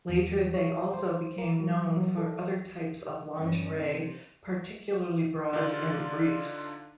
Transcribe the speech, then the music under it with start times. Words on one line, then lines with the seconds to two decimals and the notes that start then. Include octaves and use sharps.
Later they also became known for other types of lingerie, particularly bras and briefs.
0.09 E2
0.54 C#5
0.94 C5
1.38 A#4
1.60 F#3
1.97 F#3
2.17 A4
3.35 G2 C#4
3.80 C3
5.53 D3 D4 D#4 F4